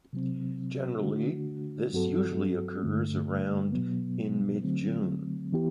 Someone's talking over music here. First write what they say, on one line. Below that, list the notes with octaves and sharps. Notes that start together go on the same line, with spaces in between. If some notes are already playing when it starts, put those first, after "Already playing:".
Generally, this usually occurs around in mid-June.
C3 F#3 C4
D3 A3 D4 F#4
G2 F#3 C4 F#4 A4
G2 D3 A3
B2 F#3 B3
D3 F#3 A3 C4
E3 B3 E4 G4